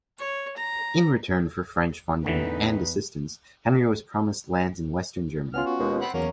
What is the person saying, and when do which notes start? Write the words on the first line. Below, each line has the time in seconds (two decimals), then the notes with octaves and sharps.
In return for French funding and assistance, Henry was promised lands in western Germany.
0.19 C#5
0.57 A#5
2.25 A1 E2 D3 E3 D#4 B4
5.54 B3 C#4 F4 F6
5.66 F#4
5.79 D#2 B2 G#3
6.02 C4 F#5 B5
6.14 E2 F#3 A#3 C#4